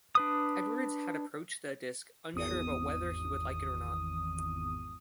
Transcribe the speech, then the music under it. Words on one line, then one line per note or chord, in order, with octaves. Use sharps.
Edwards had approached the disc unsure about whether he would like it or not.
D4 B4 D#6
G#1 E2 D#6